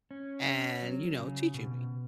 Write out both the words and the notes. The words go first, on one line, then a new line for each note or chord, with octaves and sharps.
and, you know, teaching me.
C#4
C#4
F#3
C#3
B2